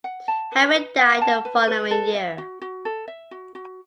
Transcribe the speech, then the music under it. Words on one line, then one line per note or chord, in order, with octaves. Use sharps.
Harry died the following year.
F#5
A5
B4
B4
F#5
A5
B4
B4
A4
E5
F#4
F#4
A4
E5
F#4
F#4